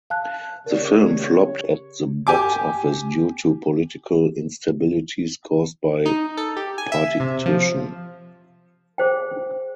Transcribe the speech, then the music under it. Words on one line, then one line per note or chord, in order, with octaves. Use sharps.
The film flopped at the box office due to political instabilities caused by partition.
F5 A5 F#6
C#3 G4 A#4 C#5 D5
G4 G#5 D6
D#4
A4
G4
G#5
E5
C3
F3
G#4 C5 G5